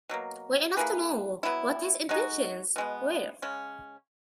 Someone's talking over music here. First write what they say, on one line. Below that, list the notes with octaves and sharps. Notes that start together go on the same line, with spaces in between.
Well enough to know what his intentions were?
B2 F#3 A#3
A#3 E4 G#4 B4
F#3 B3 E4
G#3 D#4 F#4
B2 G#3 B3
C#3 G#3 C#4